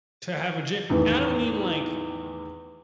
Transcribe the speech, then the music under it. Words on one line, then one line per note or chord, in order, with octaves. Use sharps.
to have a ge and I don't mean like
E2 A2 D#3 E3 B3